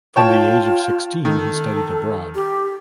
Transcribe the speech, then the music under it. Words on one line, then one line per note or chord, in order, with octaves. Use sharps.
From the age of sixteen he studied abroad.
F4 C#5 G5 A5
D#3 A4
G4